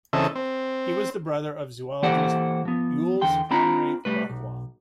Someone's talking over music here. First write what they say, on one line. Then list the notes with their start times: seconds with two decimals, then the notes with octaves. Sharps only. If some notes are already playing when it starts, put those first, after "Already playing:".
He was the brother of zoologist Jules Henri Barrois.
0.13 C#3 E3 C4 A4 D#5 E5
0.35 C4
2.03 E3 A#3 G4 A4 C5 F#5
2.65 F3 B3
3.21 E2 D3 E3 G5 C6
3.51 C4 D4 F4 A#5 B5
4.05 G3 A3 B4
4.30 B1